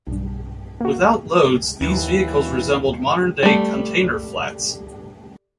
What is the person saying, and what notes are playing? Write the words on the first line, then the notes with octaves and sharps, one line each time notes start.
Without loads these vehicles resembled modern day "Container Flats".
B1 G2
A#3 F#4
D#2 E3
G3 A3